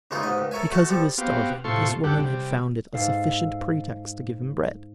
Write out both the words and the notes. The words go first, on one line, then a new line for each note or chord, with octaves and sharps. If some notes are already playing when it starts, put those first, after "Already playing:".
Because he was starving, this woman had found it a sufficient pretext to give him bread.
C#3 E3 G#3 D#4 F4 G#4
A1 G#2 D#5
C#2
A4 A#4 C#5 E5 G#5
A3 F#4 A5
F3 G3 A4
B3 C4 F#4 G4 F5
A2 C3 F4 A4 C6 C#6
D2 G2 D4 G4 A4 F#5
C3 G3
G#2 A4 F5 C7